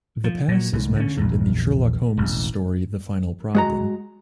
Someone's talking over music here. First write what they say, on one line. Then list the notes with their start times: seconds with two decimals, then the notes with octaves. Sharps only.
The pass is mentioned in the Sherlock Holmes story The Final Problem.
0.24 F3
0.48 A#2 F#3
0.73 C2 G#2
0.96 D3 C#4
1.17 A#1 E2
2.17 E1 A1
3.55 G#3 F#4 A#5